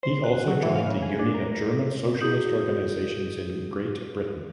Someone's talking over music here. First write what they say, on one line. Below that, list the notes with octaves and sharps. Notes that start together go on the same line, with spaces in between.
He also joined the Union of German Socialist Organisations in Great Britain.
C5
F#6
F#3
E3
F5
C#3
G#4
D4
A#4
E4 F#4 G#4 D#6 G6 F#7